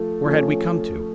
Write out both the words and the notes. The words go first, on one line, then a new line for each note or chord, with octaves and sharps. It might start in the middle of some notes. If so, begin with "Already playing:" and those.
Where had we come to?
Already playing: F3 A3
F3 A3 C#4